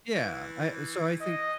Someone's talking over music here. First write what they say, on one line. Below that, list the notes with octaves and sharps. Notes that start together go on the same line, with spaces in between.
Yeah. I so I think
E3
D#5